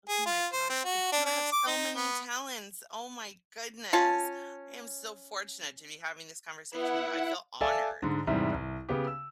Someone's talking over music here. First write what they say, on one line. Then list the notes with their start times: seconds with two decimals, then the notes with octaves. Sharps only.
Oh my gosh, but you have so many talents, oh my goodness. I am so fortunate to be having this conversation with you I feel honored
0.09 G#4
0.26 F4
0.53 C5
0.69 C4
0.85 F#4
1.12 D4
1.26 D4
1.52 D6
1.67 D#4
1.96 B3
3.93 C#4 F4 A5
6.72 B3 E4 F#5
7.61 A4 D5 E5 F5 G#5 A5
8.02 G#2 D3
8.27 E2 G#2 C3 G3 E4
8.53 C2
8.89 C#3 B3 G4
9.07 E6